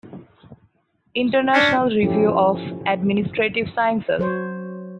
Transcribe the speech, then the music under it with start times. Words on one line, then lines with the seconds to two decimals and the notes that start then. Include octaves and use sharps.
International Review of Administrative Sciences.
1.54 C#4 D4
2.03 F3 C#4 E4 G4 A4
4.19 F#3 C5 C#5